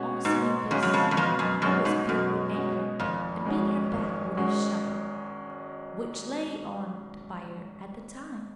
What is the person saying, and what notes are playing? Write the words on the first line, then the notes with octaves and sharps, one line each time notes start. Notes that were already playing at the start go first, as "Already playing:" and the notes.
On seeing this I was filled with anger, and beat her back with a shovel, which lay on the fire at the time.
Already playing: B2 G#3 C#4 F#4
G#2 B2
F2 G#3 C#4 F#4
F#2
F2
F#2
F2 B2
F#2
F#2 G#3 C#4 F#4
G#2
F#2 B2
G#3 C#4 F#4
G#1 F2
G#2 G#3 C#4 F#4
G#1
G#2 G#3 C#4 F#4